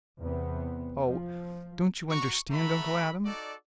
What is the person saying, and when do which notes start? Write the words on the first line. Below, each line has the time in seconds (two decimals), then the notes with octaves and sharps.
"Oh! don't you understand, Uncle Adam?"
0.21 E2 C3 B3 C4
1.08 F3
2.09 F#4 A#5 C#6
2.50 A3 F#4 E5 A#5 B5
3.24 D#4 F#4 A4 D5